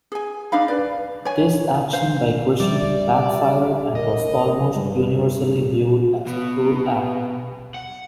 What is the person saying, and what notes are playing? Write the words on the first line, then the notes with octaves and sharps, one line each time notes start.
This action by Grishin backfired and was almost universally viewed as a cruel act.
G#4 G#5
D4 D#4 F5 B5
B4 D5
C#5 G#5
C5 F5
G3 D5 E5
A#4 D#5
G2
B2
F#5